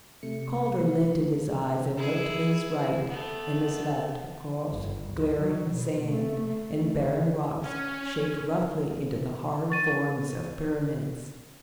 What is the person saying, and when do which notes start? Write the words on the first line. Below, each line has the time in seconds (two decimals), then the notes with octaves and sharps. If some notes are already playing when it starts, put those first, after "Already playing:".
Calder lifted his eyes and looked to his right and his left across glaring sand and barren rocks shaped roughly into the hard forms of pyramids.
0.23 C3 A3 C#7
1.97 E4 G#4
3.08 A3 B3
4.72 G1
5.08 C#2
5.39 F#3
5.70 B2
6.07 A3
6.43 A3
7.64 C#4
9.70 C#6 A6 D#7